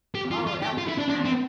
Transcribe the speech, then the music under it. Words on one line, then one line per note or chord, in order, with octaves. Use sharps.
Oh, that would be nice.
G4
F4
F4
G4
F4
E4
D4
D4
C4